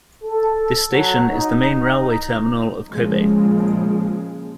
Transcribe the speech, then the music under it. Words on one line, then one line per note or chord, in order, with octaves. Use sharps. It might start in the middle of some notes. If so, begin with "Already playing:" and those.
This station is the main railway terminal of Kobe.
A4
F#3
D#4
A#2 C#3 F3 G#3